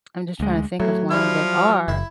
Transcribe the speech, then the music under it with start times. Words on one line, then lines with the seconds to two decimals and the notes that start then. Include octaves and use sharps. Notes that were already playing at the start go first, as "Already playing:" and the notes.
I'm just trying to think of one that are
0.40 D2 G#3
0.80 A2 F#3
1.11 F3 G3 E4 F6
1.88 F#1 E4 E5